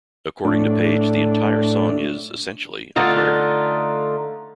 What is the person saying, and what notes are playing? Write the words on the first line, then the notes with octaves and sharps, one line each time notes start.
According to Page the entire song is, essentially, a prayer.
A2 D4
D3 A3 D#4 F4